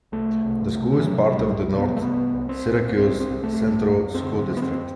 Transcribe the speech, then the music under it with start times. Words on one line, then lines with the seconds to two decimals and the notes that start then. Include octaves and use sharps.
The school is part of the North Syracuse Central School District.
0.12 C2 A3
0.45 C2
0.75 C3
0.92 D3
0.99 E3
1.07 C3 F#3
1.31 G3
1.39 C2
1.70 C3
1.78 B3
1.97 A3
2.01 C3 B3
2.34 C2
2.49 C4
2.65 C2
2.97 C2 C4
3.20 C4
3.28 C2
3.44 A3
3.59 C2
3.67 A3
3.90 F#2
4.15 C4
4.22 D3
4.39 C4
4.54 F#2 B3
4.62 C4